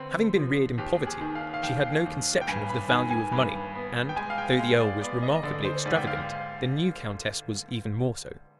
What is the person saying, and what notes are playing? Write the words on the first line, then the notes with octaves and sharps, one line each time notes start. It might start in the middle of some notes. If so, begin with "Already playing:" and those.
Having been reared in poverty, she had no conception of the value of money; and, though the earl was remarkably extravagant, the new countess was even more so.
Already playing: D3 C4 B4
F3
D#2 G4
G#4
D#3
F5
F5
D#2 G5
D#2
G5
G2 G#5
B5
D#3 G#5
G#5
G2 B5
B3
G5
G#3 G#5
F5
G5
G#3 F5
D5
B3 D5
D#5
D#5
D3 D5
C5
G#2 D5
G5
F5